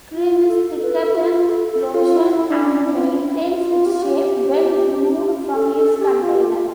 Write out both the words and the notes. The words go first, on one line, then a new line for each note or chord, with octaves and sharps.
Cream is thicker than lotion, and maintains its shape when removed from its container.
F4
A4
B4
A4
F4
F4
A4
A4
F4
E4
D4
E4
F4
E4
F4
G4
F4
G4
A4
A4
G4
F4
G4
F4